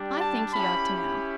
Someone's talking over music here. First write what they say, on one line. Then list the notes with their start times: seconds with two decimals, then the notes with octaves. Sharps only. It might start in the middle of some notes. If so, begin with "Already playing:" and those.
I think he ought to know.
Already playing: G3 D4 G4
0.20 A5
0.53 C#4 E4 G4 B5